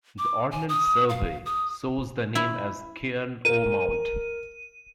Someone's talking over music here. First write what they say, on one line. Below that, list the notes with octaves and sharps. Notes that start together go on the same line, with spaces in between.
The Ordnance Survey shows the name as "Cairn o' Mount".
D6
G#5
D#6
F5
D#6
E4
A#4 D#7